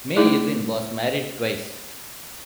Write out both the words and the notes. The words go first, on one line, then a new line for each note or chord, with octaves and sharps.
May Irwin was married twice.
A3 D#4 E4 G#4 D5